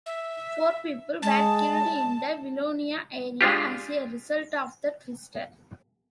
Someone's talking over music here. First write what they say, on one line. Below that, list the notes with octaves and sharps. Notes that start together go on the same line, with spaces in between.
Four people were killed in the Vilonia area as a result of the twister.
E5
G#3 A5
G#3 D4 F4 G4